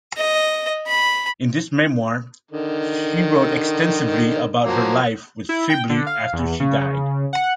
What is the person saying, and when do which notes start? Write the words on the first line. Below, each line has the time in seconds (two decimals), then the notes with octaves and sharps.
In this memoir she wrote extensively about her life with Sibley after she died.
0.17 D#5
0.87 B5
2.51 D3 D#3
4.65 F3 F#3 A#3
5.49 E4
5.70 G5
5.89 D3
6.06 F5
6.33 E2
6.60 C#3
7.33 F#5